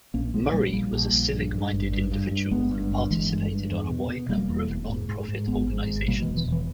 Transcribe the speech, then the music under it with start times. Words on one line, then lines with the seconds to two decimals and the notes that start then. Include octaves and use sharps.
Murray was a civic-minded individual who participated on a wide number of nonprofit organizations.
0.14 A#1 A#3 C#4
0.34 A#1 G#3 B3
0.53 A#1 G3 A#3
0.73 A#1 G3 A#3
0.92 A#1
1.13 A#1
1.33 G2
1.53 G2
1.73 G#1
1.92 G2
2.12 G2
2.31 G2
2.51 G1 G#3 B3
2.71 G2
2.91 G1
3.11 G1 E3 G#3
3.31 G2
3.50 G2
3.71 E2
3.90 B2
4.09 B2
4.29 E1 G3 A#3
4.49 E2
4.69 E1
4.89 G#2
5.09 G#2
5.28 G#2
5.48 G#1 G#3 B3
5.68 G#2
5.87 G#1
6.07 B2 G3 A#3
6.22 E3 G#3
6.27 E1
6.37 E3
6.47 E1
6.52 E3